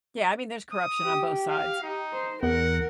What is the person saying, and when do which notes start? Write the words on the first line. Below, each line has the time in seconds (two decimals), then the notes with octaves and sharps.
Yeah. I mean, there's corruption on both sides,
0.73 D#6
1.01 G4
1.49 F5
1.83 D#4
2.13 C5
2.43 E2 A#4 F#5